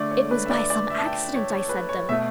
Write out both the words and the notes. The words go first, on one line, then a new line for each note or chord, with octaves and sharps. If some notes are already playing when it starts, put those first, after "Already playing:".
It was by some accident I said them....
Already playing: D3 A3 D5
C#5
B4
E5
D5
D5
E5
A5
G5
C#5
C#5
B4
C#5
B2 A3 E5